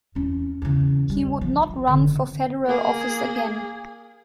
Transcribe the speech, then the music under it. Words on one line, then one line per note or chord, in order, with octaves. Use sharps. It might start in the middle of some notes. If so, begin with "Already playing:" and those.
He would not run for federal office again.
E2 C#4
E2 C#3
G3
F3
F4
F1 D3
A#3 G#4